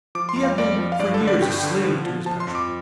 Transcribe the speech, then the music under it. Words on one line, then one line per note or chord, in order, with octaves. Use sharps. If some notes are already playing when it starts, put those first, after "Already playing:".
He had been for years a slave to his passion.
F3 D6
C6
F2
F5
F2 D5
F3
F5
G2 D5
A4
D3
D5
G2 G5
D3
F3
F3
F3 A5
C6
F2
D6